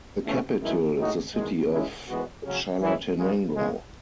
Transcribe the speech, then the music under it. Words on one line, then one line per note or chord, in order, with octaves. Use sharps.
The capital is the city of Chalatenango.
E2 C#3 E3 A3 C#4
F#2 D#3 G#3 B3 E4
A2 G#3 D#4 F#4
E2 D#3 G#3
C#3 G#3 C#4 E4
E3 G#3 B3 F#4
C#3 F#3 C#4
E3 G#3 C#4 E4
F#2 C#3 G#3
E2 C#3 G#3